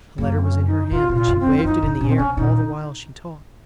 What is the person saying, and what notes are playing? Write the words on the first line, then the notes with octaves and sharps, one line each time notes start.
A letter was in her hand and she waved it in the air all the while she talked.
F#2 A#3
C4
C#4
D#4
A2 F4
A#2
F4
F#2
C4
F2
F4
F#2 D#4
A2
A#2 C#4
C4
C3 C#4
A#2 D#4